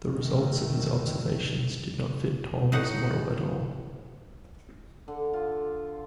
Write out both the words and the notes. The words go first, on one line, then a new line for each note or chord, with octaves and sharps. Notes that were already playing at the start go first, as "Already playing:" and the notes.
The results of his observations did not fit Ptolemy's model at all.
F#2 B2 D#3 A3
A2 D#4 F#5
D3
F4